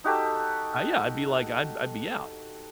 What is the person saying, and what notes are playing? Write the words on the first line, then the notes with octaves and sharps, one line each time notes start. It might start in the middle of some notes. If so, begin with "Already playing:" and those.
Uh, yeah, I'd be like, "I'd I'd be out,"
D#4 F#4 G4 A4